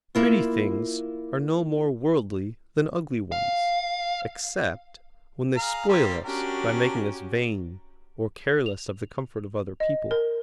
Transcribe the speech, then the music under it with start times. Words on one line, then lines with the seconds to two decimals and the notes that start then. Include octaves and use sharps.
Pretty things are no more 'worldly' than ugly ones, except when they spoil us by making us vain, or careless of the comfort of other people.
0.15 A#3 E4 F4
3.32 F5
5.56 G#4 F5 A#5
5.88 G3 A#3 C4
6.25 C#4 D4 F#4 G4 A#4
8.66 F7
9.80 D#5
10.11 A#4